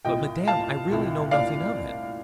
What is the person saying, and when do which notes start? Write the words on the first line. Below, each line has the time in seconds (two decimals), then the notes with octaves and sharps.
'But, Madame, I really know nothing of it.
0.05 C2 A#2 D#5 G5
0.48 F5 A5
0.89 C2 A#2
1.31 D5 F5